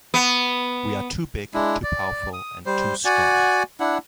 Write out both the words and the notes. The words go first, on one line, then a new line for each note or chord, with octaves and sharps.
We are too big, too powerful, and too strong.
B3
G#3 D4 E4
D5
D#6
G3 C5
F#4 D5 F#5 G#5
D4 E4 F#5